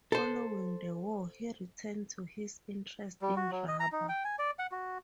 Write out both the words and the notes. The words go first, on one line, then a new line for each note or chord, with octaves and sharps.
Following the war, he returned to his interests in rubber.
A4 C5
G3
F#4
F#3
D#5
A#5
D#4
G5
G#5
D5
F#5
F#4